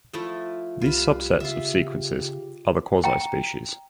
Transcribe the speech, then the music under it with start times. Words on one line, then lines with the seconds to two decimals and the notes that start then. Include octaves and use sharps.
These subsets of sequences are the quasispecies.
0.13 F3 A3 E4
0.81 C2 F4 G4 B4
1.40 C#3 F4 E5
3.04 G5 A#5